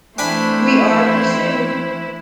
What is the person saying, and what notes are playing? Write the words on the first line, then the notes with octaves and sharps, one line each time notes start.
We are pursued.
E3 A3 C4 D4 E4 C5 G#5 B5